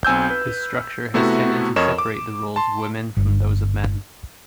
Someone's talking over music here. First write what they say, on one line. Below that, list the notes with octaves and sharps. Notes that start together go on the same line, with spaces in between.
This structure has tended to separate the roles of women from those of men.
B1 C4 G#5 E6 G6
B4
C3 A3 B3 E4 F#4
F2 A#4 C#5 D#5 E7
D6
A5 C6
G1